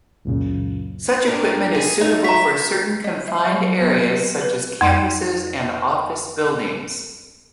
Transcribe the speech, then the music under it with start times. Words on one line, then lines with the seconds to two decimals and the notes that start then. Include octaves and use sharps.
Such equipment is suitable for certain confined areas, such as campuses and office buildings.
0.25 C#2 F#2 A#2 C#3
1.28 G2 D4 A#4
1.75 G#4
2.01 A3 D#4
2.24 E5 A#5 B6
2.69 F#4
3.04 D#5
3.28 E5
3.47 F#3
3.60 F#3
3.80 B3
4.41 B4
4.81 F2 C6